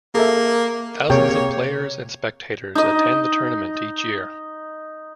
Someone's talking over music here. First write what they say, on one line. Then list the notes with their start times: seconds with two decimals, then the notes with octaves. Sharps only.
Thousands of players and spectators attend the tournament each year.
0.15 A#3 G#4 A4 E5
1.10 C3 A#3 G4 G#4 C#5 G5
2.75 D#4 D#5